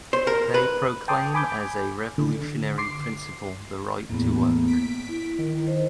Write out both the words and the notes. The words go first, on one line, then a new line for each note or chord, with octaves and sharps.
They proclaim as a revolutionary principle the Right to Work.
C5
A#4
B4
G5 A5 C6 D6 D#6
G#5 B5 D6 G6
D3
C6 D6 C7
E2 A2 A#3 B3
B6 D7
E4
D#3
C5 D#5